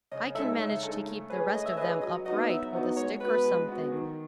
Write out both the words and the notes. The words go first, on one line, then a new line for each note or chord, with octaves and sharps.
"I can manage to keep the rest of them upright with a stick or something."
C#3 D#5
G#3 D#4 A4 E5
C#3 E5
G#3 D#4 A4
A3
C#4 G#4 B4
A3 D#5
E5
C#4 G#4 B4 D#5
F#3 D#5
B3 D#4 F#4 D#5
F#3 E5
B3 D#4 F#4
G#3 C#5
B3 F#4 B4
G#3
B3 F#4
D#3